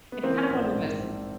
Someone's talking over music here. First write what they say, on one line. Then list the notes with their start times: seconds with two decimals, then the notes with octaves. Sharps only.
it's kinda one of those thing
0.12 B3
0.23 E3 A#3 C4
0.50 A#1
0.75 G#2
1.00 A#1